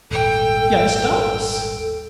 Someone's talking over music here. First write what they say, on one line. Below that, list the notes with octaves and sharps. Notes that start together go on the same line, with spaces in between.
"Yes, doubtless."
D#1 G#1 A4 G5